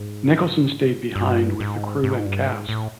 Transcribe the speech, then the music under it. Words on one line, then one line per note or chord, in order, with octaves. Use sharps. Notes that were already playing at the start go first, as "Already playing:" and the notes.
Nicholson stayed behind with the crew and cast.
Already playing: G#2
G2
G#2
G#2
G2
G#2
A2